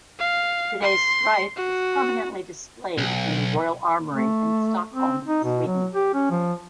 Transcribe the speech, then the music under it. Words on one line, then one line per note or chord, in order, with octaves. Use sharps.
Today Streiff is permanently displayed in the Royal Armoury in Stockholm, Sweden.
F5
C6
F#4
B1
A3
C4
D#4
B2
F#3
G4
C#4
F3